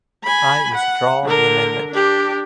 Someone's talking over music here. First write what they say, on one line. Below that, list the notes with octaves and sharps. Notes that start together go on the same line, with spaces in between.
I withdraw the amendment.
G#5 B5
F#5
D3 A#4
D4 G4